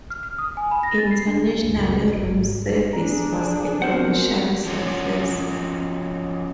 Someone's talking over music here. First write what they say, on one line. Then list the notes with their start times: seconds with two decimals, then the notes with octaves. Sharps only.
Internationally, "Room Service" was a commercial success.
0.10 F6
0.23 F6
0.38 D#6
0.57 G#5
0.71 B5
0.83 A#6
0.98 A6
1.11 C7
1.27 D4
1.63 F#1 C#2
2.16 G#1
2.93 D4 G#4 A#5
3.82 B3 C4 F#4 A#4 C5 F#5
4.65 F3 C#4 F#4